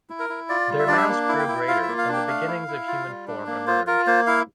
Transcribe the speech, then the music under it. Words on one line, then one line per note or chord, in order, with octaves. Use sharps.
Their mass grew greater, and the beginnings of human form emerged.
E4
A#4
E4
F4 D5
G3
E5
D4 D5
E5
A#3
E4
G5
E4
F4 F5
E5
A#3
F5
D4 G5
A3 F5
E4
E4
F4
G3
D4
A#3
F4 C5
F4 A#4
A#3 C5
E4 F5